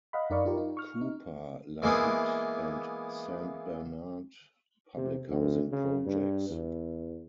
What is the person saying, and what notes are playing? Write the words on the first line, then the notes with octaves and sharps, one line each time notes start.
Cooper, Lafitte and Saint Bernard public housing projects.
D#5 F5 F#5 B5
F#2 D#4 A#4 D5 F5 C#6
D#4 F4 G4 A#4
D#4
C#6 F6
D#4
E3 G#3 A#3 B3 E4
C3
D2
C#3
G2
E2